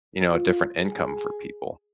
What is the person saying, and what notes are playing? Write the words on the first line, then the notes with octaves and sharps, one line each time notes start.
you know, a different income for people.
F4
G#4